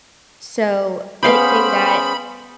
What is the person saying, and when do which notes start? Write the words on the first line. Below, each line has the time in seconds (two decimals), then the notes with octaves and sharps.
so anything that
1.23 B3 C#4 G#4 C5 F5 G5 B5